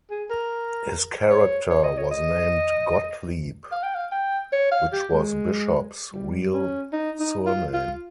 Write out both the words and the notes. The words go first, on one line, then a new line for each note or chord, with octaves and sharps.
His character was named Gottlieb, which was Bishop's real surname.
G#4
A#4
C#5
C#5
D#5
C#5
D#5
F5
G5
F5
G5
C#5
F5
G4
G#3
G3
C#4
D#4
D#4
F4
F4